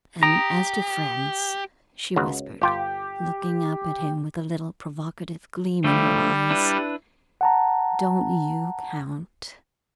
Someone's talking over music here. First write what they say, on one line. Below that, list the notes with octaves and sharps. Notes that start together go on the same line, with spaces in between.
And as to friends," she whispered, looking up at him with a little provocative gleam in her eyes, "don't you count?
G4 A#5 D#6
C#2 C#3 F#4
G1 F4 G4 G5
D3 F3 G3 A3
D4 E4 B4
F#5 A5 A#5